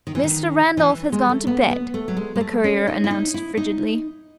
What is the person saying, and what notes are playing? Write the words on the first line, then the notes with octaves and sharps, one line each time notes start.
"Mr. Randolph has gone to bed!" the courier announced frigidly.
D#3
E3
D#3
E3
G#3
A3
B3
B3
A3
F#3
G#3
G#3
A3
C#4
D#4
E4
D#4
E4
D#4